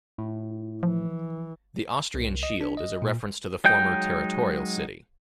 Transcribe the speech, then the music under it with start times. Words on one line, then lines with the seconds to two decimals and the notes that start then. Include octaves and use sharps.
The Austrian shield is a reference to the former territorial city.
0.18 A2
0.83 E3 F3
2.14 C2
2.43 D#5
2.61 D4
2.77 D#5
3.02 A#2
3.64 F#3 G#3 D#4 G5 G6